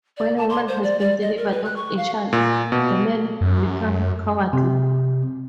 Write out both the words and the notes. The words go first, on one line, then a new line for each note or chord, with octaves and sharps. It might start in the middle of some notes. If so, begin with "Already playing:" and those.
When a woman has been delivered of a child, the men become cowardly.
D5
A5
C6
C5
D5
D5
D#5
A#4
B4
F#6
C#6
F5
A#2
B2
F#2
C3